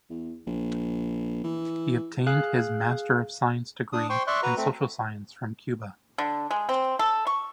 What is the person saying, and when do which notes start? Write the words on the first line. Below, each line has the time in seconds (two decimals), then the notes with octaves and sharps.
He obtained his Master of Science degree in Social Science from Cuba.
0.10 E2
0.46 A#1
1.44 E3
2.27 G#4 F5 F#6
3.93 D4 D#6
4.10 C5 G5 C6 C#6
4.27 D5 E5 C6 C#6 F#6
4.43 F#4 B4 A#5
4.57 A3 C4
6.18 D3
6.51 G#3
6.69 C4
6.99 A4
7.27 C#6